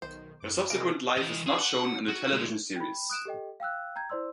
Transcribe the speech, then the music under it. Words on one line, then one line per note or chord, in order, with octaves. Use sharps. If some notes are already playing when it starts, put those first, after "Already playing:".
Her subsequent life is not shown in the television series.
B1 D#3 C5
F#2 D6
C3 G#3 G#4 A#4 F5 D7
E3 D#5
G#4
F#5
F#4
D3 G#3
G5 B5
D#6 F#6 D7 E7
G4 A4 D#5 G5
F5 G5 E6 F#6
G5 A#5 G6 G#6
E4 C5 D5 C6 E6